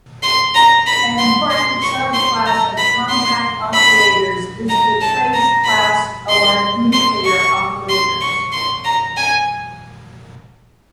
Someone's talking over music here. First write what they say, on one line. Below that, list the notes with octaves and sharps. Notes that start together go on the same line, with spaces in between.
An important subclass of compact operators is the trace-class or nuclear operators.
C6
A#5
B5
C6
C6
C#6
C6
A#5
B5
C6
B5
A#5
A5
A#5
B5
C6
C6
C#6
C6
C#6
C6
A#5
G#5